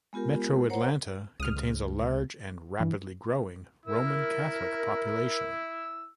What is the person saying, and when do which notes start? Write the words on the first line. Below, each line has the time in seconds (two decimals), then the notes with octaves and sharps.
Metro Atlanta contains a large, and rapidly growing, Roman Catholic population.
0.13 G#3 B3 F4 G4 A#4
0.70 A#4 C5 C#5 F#5 A#5
1.40 C#2 D#6 F6
2.80 G2 E3
3.86 E4 A#4 E6